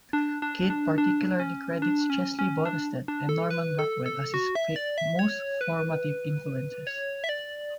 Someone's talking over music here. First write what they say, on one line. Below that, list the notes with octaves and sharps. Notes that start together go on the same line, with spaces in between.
Kidd particularly credits Chesley Bonestell and Norman Rockwell as his most formative influences.
D4
D4
D4
D4
C#4
D4
C#4
C#4
D4
D4
A4
B4
A4
A4
F#4
E5
D5
E5
C#5
B4
C#5
E5
D5